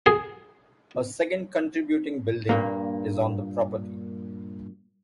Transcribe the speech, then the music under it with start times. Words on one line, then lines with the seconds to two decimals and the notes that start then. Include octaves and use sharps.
A second contributing building is on the property.
0.06 G#4
2.49 G2 A#2 A#3